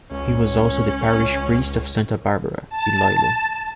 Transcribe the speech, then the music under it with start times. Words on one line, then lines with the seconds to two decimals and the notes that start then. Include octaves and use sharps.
He was also the parish priest of Santa Barbara, Iloilo.
0.11 C#2 C#4
2.70 A5